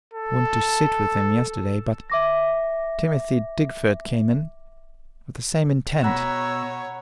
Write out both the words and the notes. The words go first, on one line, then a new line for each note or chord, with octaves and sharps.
I went to sit with him yesterday, but Timothy Digfort came in, with the same intent.
A4
E5 D6 A#6
B2 C#5 F#5 A#5 B5 E6